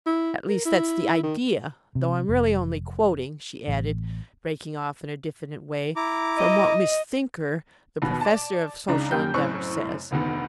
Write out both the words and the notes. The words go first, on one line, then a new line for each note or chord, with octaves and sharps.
At least that's the idea--though I'm really only quoting," she added, breaking off in a diffident way, "from what Miss Thinker, the professor of Social Endeavour, says.
E4
A#4
E4
D#3
C3
F1
A1
E4 A#5 D6
D#5
D#2 B2 B3
D5 A5
C#2 C#3 D4 D#4 A#5
F#2 G3 A#3 A#4 G5 G6
F#1 F#2 A2 C4 C#6 F#6
F1 D2 D#3 B3